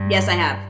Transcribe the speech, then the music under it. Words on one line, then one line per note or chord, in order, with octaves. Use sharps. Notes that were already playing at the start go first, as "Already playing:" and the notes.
Yes, I have.
Already playing: G2